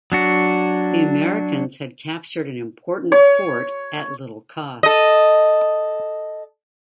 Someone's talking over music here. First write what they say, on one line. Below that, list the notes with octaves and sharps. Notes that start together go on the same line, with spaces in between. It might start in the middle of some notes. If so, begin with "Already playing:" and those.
The Americans had captured an important fort at little cost.
F#3 D4 F#4
C#5
A4 D#5